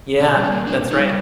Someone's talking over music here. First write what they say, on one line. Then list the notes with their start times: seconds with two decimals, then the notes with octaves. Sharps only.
Yeah, that's right.
0.20 B2 C#4
0.36 G3
0.44 C#4
0.52 A#3
0.67 B2 D4
0.83 B2
0.91 D#4
0.99 G3